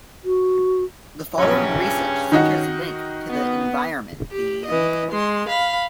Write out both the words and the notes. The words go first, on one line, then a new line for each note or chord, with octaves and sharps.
The following research centres link to the environment theme.
F#4
A#1 G2 C#3 F#3 C#4
D#3 D#4 F#4
B3
G4
E3 D#5
G#3 C6
F5 B5